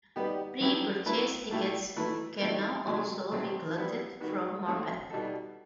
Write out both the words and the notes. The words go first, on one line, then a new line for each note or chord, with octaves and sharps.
Pre-purchased tickets can now also be collected from Morpeth.
G3 B3 D#4 G4
F#3 B3 E4 G4
A3 E4 B4
B2 A3 E4 G4
E3 A3 E4 B4
E3 A3 C4 D#4
C3 F#3 A3
B2 F#3 A3 C4
G3 B3 E4
D#3 G3 B3 F#4
A3 C4 F#4
B2 G3 D#4 A4